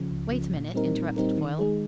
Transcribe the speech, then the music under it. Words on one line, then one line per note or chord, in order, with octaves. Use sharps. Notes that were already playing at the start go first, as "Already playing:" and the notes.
"Wait a minute," interrupted Foyle.
Already playing: C#3 F3
C#2
C#3 F3
A#2
G3 C4 D#4 A#4
A#2
G3 C4 D#4 A#4
D#3
G#3 D#4 G#4